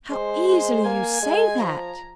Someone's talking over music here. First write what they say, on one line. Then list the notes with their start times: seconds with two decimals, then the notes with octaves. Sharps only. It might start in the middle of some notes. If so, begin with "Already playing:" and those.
"How easily you say that!"
0.10 G#3 C5
0.48 G#3
0.84 A#3 G#5
1.22 G#3
1.59 F3 A#5